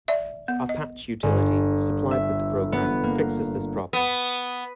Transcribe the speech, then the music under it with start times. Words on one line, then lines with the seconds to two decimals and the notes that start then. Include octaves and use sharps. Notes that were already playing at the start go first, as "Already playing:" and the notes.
A "patch" utility supplied with the program fixes this problem.
0.08 D5 E5
0.48 B3
0.69 D#5
1.23 G1
2.11 E5
2.72 B3
3.04 A#3
3.93 B3